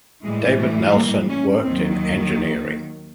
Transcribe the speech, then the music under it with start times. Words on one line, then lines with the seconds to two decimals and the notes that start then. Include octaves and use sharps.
David Nelson worked in engineering.
0.23 A2 E3 G3 G#3
0.57 A3
0.94 A#3
1.28 C#4
1.63 D#2 D#3 F#3 C4